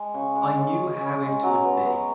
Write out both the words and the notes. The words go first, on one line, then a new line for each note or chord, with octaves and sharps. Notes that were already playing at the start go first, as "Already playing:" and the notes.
I knew how it would be.
Already playing: G#3
C#3
G#3
C#4
C#4
C#4
G#3
F#3
B3
B3